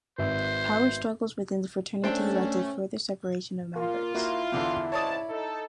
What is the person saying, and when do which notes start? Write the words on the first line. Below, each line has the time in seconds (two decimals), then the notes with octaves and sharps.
Power struggles within the fraternity led to further separation of members.
0.18 G#1 B4 C5 E5
2.04 A3 C#4 D4 C5 G5
3.76 A#3 F4
4.15 A#3 E4 F#4
4.52 E2 D3 E3
4.92 C#2 G#2 C#5 D5 A5 D#6
5.29 D#4 A4